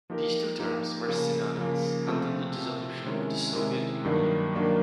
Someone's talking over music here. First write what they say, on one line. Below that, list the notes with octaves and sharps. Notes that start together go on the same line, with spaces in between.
These two terms were synonymous until the dissolution of the Soviet Union.
F3 A#3 D#4 G4 A#4
F3 A#3 D#4 G4 A#4
C#3 F3 A#3
C#3 F3 A#3
C3 F3 A3 C4
C3 F3 A3 C4
C3 D#3 G#3 C#4 E4
C3 D#3 G#3 C#4 E4
G2 D#3 F#3 A#3 D4
D#3 F#3 A#3 D4